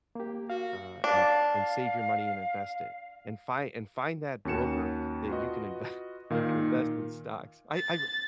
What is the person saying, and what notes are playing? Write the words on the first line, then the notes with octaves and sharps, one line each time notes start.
uh, and and save your money and invest it, and fi and find that broker that you can inve you can invest in stocks." I I
A#3 G4
F#4 F5
D4 F5
D#2 C#4 F#4 C#7 E7
F4 F#4 B4 D#5
A#2 D#3 F5
A6